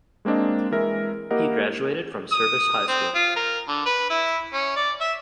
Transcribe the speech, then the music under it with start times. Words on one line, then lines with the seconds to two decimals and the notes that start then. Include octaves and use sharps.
He graduated from Service High School.
0.25 G#3 A#3 C4 D4 D#5
0.71 E3 G#3 A#4 E5
1.31 A#3 E4 G4 A#4 D#5 F#5
2.32 D#6
2.88 C4
3.14 F4
3.36 A#4
3.68 D3
3.86 B4
4.10 E4
4.53 C#4
4.76 D5
5.01 E5